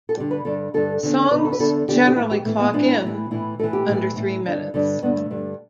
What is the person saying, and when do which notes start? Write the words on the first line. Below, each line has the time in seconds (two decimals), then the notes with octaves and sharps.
Songs generally clock in under three minutes.
0.09 A4
0.17 G2 G4
0.20 D3
0.31 B4
0.45 G2 D3 A4
0.74 G2 D3 A4
1.03 E2 D3
1.31 E2 B4
1.34 D3
1.45 A4
1.53 B4
1.59 E2 D3 A4
1.88 E2 D3 G4
2.07 G4
2.16 E3 E4
2.20 A2
2.31 G4
2.45 A2 E3 A3
2.59 B3
2.73 A2 E3 D4
3.02 A2 E3
3.31 A2 E3 E4
3.59 A2 A4
3.63 E3
3.73 G4
3.88 A2 E3
4.16 A2 E3
4.46 G2 D3
4.74 G2 D3
5.02 G2 B3
5.05 D3
5.16 A3
5.31 G2 D3